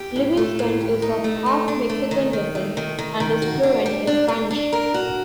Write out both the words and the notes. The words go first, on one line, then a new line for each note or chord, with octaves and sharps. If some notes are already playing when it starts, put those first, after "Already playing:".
Livingston is of half Mexican descent, and is fluent in Spanish.
Already playing: G4
A2
A3
A2
G4
D#4
A3
D#4
D4
A3
D#3
D#3
A3
D#3
D#3
D#3
F#4
D4
G3
D4
D4
D4
A#4
F#4